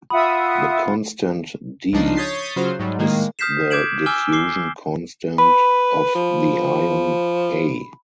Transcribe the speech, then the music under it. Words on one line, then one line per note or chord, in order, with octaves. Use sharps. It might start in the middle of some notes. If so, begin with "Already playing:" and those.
The constant "D" is the diffusion constant of the ion A.
F4 E5 F#5 B5 D#6
C#2 F3 D4 D#4 C7
C#5 D#6 G6 A6 B6 C7
C#3 F#3 F4 F#4 C5
G#2 F#3 G3
A2 D#3 G#3 A#3
D#6 F6 G6 B6 C7 E7
D6 G6 G#6 D7 E7 F#7
G#5 D6 E6 F6 G7
D6 C7 G7
B4 B5
F3